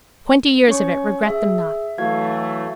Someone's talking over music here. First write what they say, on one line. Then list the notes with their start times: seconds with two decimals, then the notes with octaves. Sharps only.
Twenty years of it, regret them not.
0.68 C#4 C#5 C#6
1.23 G#4 E5
1.98 E3 F#3 A3 F#4 F5 G#6